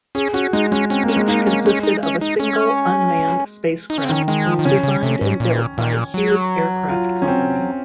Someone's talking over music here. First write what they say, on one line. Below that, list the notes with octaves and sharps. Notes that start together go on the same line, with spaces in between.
Each consisted of a single unmanned spacecraft designed and built by Hughes Aircraft Company.
C#4 G#4
C#4 F#4
G#3 D#4
G#3 C#4
C4 C#4
A#3 C#4
G#3
A#3 D#4
C#4
G#3 C#4
D#4
C#4
D#4
C#4
D#4
C#4
C4
D#3 C#4
D#3 G#3
F3
D#3
C#3 C#4
C#3
C3
G#2
A#2
A#2
F#3
F4
C#4
C4